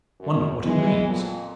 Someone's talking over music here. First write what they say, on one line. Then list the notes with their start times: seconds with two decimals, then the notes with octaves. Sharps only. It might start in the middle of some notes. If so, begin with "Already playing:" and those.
Wonder what it means!
0.19 F#2
0.64 E3 F#3 G#3 B3
1.07 F2 A#2